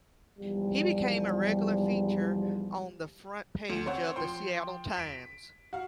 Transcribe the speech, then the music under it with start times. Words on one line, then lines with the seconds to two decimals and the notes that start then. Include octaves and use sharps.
He became a regular feature on the front page of "The Seattle Times".
0.39 B1 E2 G#2 F3 G3
3.70 D2
3.86 C4 C5 C#5 F#5
4.16 F3 G5 C6
4.96 B6 D7
5.73 F#4 F5